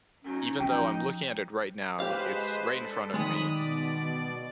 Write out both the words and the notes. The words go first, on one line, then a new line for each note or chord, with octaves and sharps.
even though I'm looking at it right now, it's right in front of me.
F#3 C#4 D#4
F3 D#4 G5
G#3 G4 B4 C5 F5
D4 A4
D#3 G#3 B5 D#6
B2 D5